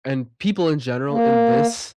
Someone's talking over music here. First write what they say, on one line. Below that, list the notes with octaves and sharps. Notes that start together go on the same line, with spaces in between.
and people in general in this
A#3